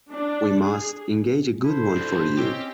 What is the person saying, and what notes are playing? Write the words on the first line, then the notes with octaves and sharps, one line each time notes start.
We must engage a good one for you.
D4
G#4
E4 A4 C5
D2 G2
C4 C#4 G4 D#5 G5